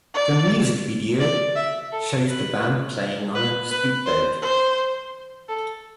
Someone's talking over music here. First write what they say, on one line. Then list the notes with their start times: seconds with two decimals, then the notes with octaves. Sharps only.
The music video shows the band playing on a speedboat.
0.14 D5
1.20 D5
1.56 E5
1.92 A4
2.28 B4
3.35 B4
3.71 B4
4.06 C5
4.42 C5
5.48 A4